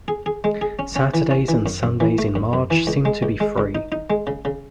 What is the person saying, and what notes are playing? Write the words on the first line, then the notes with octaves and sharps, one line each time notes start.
Saturdays and Sundays in March seem to be free.
G#4
G#4
G#3
G#4
C#4
C#4
E3
C#4
E3
F#2
F#2
E3
A3
F#2
F#2
E3
C#2
G#3
C#2
G#3
C#2
D#4
D#4
G#3
C#3
C#3